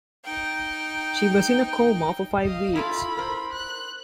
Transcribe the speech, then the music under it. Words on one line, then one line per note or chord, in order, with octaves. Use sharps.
She was in a coma for five weeks.
D#4 G5
D#5 F5
E4 F4 A4 B5
A#4 C5
F#6